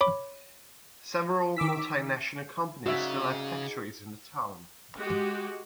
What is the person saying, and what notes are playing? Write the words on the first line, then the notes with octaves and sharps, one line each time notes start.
Several multi-national companies still have factories in the town.
C#5 B5 D6
D#3 D6 E6 B6
G#2 C#3 F#4 D5 E5
G#3 F#4 G4